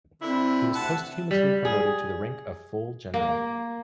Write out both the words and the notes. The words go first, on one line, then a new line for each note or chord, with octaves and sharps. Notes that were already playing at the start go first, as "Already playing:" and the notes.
He was posthumously promoted to the rank of full general.
D3 C4 E4
D2 C3 E5 F#5 A5
G3
G#4
A#3